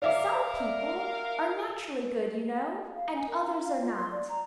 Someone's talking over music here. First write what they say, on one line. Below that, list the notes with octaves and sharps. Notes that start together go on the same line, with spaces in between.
Some people are naturally good, you know, and others are not.
A#4 D5 E5 F5 D6
F5
G#5
A#4
A#5
F5
F4
C6
D5
A#5